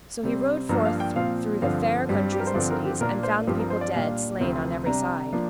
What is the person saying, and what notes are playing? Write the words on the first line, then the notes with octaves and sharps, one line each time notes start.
So he rode forth through the fair countries and cities, and found the people dead, slain on every side.
C3 G3 C4
G2 F3 A#3 D4 A#5
F5
G5
A#2 F3 C4 F5
G2 D3 F3 C4 F5
G2 G3 C4
G4
A#4
C5
G2 D3 F3 C4 D5
A#4
G4
A#2 A#3 D4 A#4
C5
G2 F3 C4 G4
A#4
C5
D5
A#2 G3 D4 F5
D2 C3 F3 C4
C3 G3 D4 A#5
F3 A#3 D4